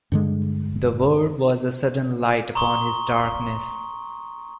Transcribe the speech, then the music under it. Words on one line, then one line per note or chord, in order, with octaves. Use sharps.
The word was a sudden light upon his darkness.
G2 D3 G#3
A#5 C6 C#6 D#6 G7